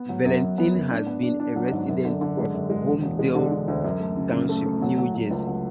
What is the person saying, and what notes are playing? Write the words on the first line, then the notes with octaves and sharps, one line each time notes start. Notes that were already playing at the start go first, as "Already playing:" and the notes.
Valentin has been a resident of Holmdel Township, New Jersey.
Already playing: B3
F#3
F#2
F#2
B3
F#2
D4
B3
D4
D4
F#3
G#2
F#2
D3
D3
G#3
F#2
G#3
E1
E1
G#3
D3
D3
D2
F#2
A3
C#3
C#3
A3
A3
F#3
F#3
F#3
C#2
F#3